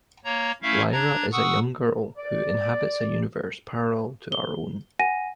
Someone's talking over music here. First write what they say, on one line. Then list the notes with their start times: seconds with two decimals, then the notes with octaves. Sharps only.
Lyra is a young girl who inhabits a universe parallel to our own.
0.24 A#3 C#5 A#5
0.62 A3 C#4 E4 E5 F5
0.92 D4 A#5 G#6
1.32 F#5 C#6 D#6 E6
2.18 D5
4.32 G7
4.99 F#5 G#5 A#6 D#7